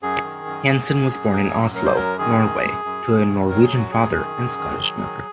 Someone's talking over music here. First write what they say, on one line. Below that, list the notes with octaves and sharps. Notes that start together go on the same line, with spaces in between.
Hansen was born in Oslo, Norway to a Norwegian father and Scottish mother.
F#2 G#4
D#3
F#2
F#2
F#2
F#2
F#3
F#2
F#3 A#4
C5
F#2 A#4
D#3 G#4
F#2
F#2
F#2
F#2
D#3
F#3 A#4
G#4
F#2
F#4
F#2 G#4
D#3
F#2
D#3
F#3
D#3